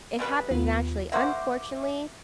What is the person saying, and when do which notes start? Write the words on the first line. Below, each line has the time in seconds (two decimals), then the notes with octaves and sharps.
It happens naturally. Unfortunately,
0.19 C#3 G3 B4
0.51 D#2 B3 F4
1.12 A#3 F#4 C5 E5 D6